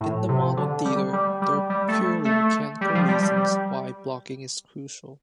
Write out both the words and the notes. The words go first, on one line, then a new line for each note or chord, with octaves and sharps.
In the modern theater, there are purely mechanical reasons why blocking is crucial.
A2
C3
D3
G3
G3
G3
G3
A3
A3
G3
F3
G3
G3
G3